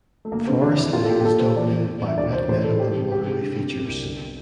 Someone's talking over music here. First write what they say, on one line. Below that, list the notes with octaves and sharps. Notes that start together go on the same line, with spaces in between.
Forest Lake is dominated by wet meadow and waterway features.
A3
G1 A#3
D3 C4
E3 D4
F1 E4
A#2 F4
A4
A#2 G4
G4
A#2 A4
A#2 C5
E3 D5
A1
E2
E3
E5
D2 D5
D2 C5
A1 C5
E3 A4
E3 G4
C3
C3 G4
C3
D3
G2
C3
C2
G1